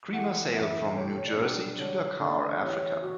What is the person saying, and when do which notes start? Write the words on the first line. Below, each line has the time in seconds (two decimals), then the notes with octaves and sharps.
Creamer sailed from New Jersey to Dakar, Africa.
0.13 E3 A3 E4 G4 F#5
0.55 F#2 C#3 E3 B3 E5
0.95 B2 A3 E4 G4 C#5
1.05 A4
1.17 C#5
1.26 D5
1.37 B2 G3 B3 D4 G4
1.78 D3 G3 D4 F#4 C#5
2.19 D3 A3 C#4 D5
2.60 E3 B3 E4 G4 C#5
3.02 F#4